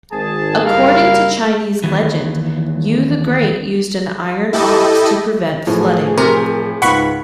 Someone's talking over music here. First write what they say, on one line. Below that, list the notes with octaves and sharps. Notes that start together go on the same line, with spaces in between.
According to Chinese legend, Yu the Great used an iron ox to prevent flooding.
G#1 G#4 A5
F#1 G3 E4 A#4 F5
D#2 E3
E4 G4 A4 D#5
A2 E3 F3 G#4
C3 A#4
C#2 G#2 F#5 B5 C#6